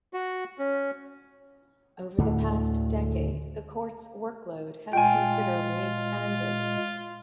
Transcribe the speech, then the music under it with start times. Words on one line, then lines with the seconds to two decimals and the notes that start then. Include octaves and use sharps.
Over the past decade, the Court's workload has considerably expanded.
0.14 F#4
0.59 C#4
2.18 D2 A2 D3
4.93 A#2 G#3 F4 G5 G#5